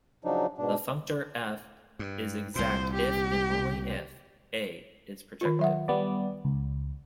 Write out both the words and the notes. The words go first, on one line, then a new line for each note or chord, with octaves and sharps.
The functor "F" is exact if and only if "A" is projective.
C#3 F3 F#3 D4 D#4
G#2 B2 D4
G2
C2 A#2 C5
G4
D#3 F4
F#3 E5 F#5
G3 B3 D5
C#2